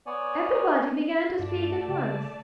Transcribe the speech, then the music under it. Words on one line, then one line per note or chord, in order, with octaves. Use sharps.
Everybody began to speak at once.
B3 C#5 D5 G#5
G2 A3 D5 A5
C#3